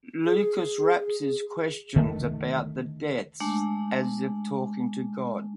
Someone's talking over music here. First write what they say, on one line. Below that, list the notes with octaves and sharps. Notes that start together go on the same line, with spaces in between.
Lucas raps his questions about the deaths as if talking to God.
G#4
D3 D#3 A3
G#3 A3 D4